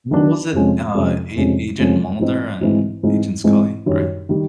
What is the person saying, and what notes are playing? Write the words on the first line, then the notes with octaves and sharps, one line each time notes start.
What was it, uh, A Agent Mulder and Agent Scully, right?
D#3 F#3 B3 D4
F2 C3 F3 G#3 C#4
F2 C3 F3 G#3 C#4
F2 C3 F3 G#3 C#4
F2 C3 F3 G#3 C#4
G#2 E3 G#3 C4 D#4
G#2 E3 G#3 C4 D#4
G#2 E3 G#3 C4 D#4
G#2 E3 G#3 C4 D#4
F#2 D#3 G3
D#3 G3